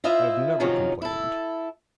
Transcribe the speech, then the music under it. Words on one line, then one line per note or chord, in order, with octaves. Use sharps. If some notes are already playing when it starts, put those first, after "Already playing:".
I have never complained.'
E4 F4 C5 D#5 E5
C3 D#3 F3 F#3 C#4 D#4
E4 A4